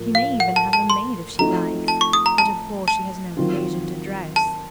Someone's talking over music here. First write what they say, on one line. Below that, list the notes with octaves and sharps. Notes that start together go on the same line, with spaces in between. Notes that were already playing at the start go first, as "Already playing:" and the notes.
She may even have a maid if she likes; but of course she has no occasion to dress.
Already playing: A2 F3 A#3
F5
F#5
A5
A5
C6
F3 A3 C4 D#4 F#4 A#5
A5
C#6
D#6
A#5
A5
A5
D#3 F#3 C4 F4
A5